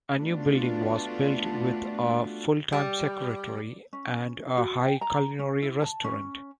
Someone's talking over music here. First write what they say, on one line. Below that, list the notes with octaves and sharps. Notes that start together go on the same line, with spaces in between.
A new building was built with a full-time secretary and a high culinary restaurant.
A3 B3 D4 F4 F#4
G3
C#4
F#4
G5
A#5
C#4
E4
A5
C#4